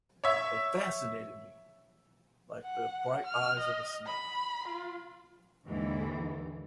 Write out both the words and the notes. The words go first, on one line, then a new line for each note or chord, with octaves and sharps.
They fascinated me like the bright eyes of a snake.
C#5 E5
F#5
F6
D#5
B5
F4
D#2 G#2 D3 E3